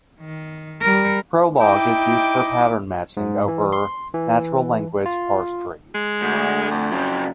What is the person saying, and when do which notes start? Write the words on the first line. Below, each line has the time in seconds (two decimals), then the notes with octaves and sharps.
Prolog is used for pattern matching over natural language parse trees.
0.21 D#3
0.82 G3 A#4
1.60 D#4 E4 D#5 G5 D6
3.17 G#2
3.48 E3
3.73 C6
4.14 E3
5.06 F4
5.95 G#3
6.22 D2
6.71 F2
6.92 C#3 F#3